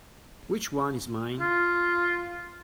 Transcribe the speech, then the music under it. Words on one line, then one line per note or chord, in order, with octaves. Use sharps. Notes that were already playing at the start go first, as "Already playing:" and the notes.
Which one is mine?
F4